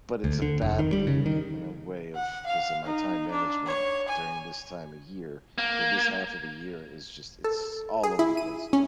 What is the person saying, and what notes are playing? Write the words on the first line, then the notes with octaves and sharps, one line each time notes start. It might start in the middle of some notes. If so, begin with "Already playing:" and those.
but it's a bad thing in a way of ‘cause of my time management during this time of year for this half of the year, it's just, it's all over the place,
D2
D3
F1
D#3
G3
C#3
D#3
F#5
F5
D#4
D4
C#5
G#5
A#3
A4
G#4
E4
D#7
C#4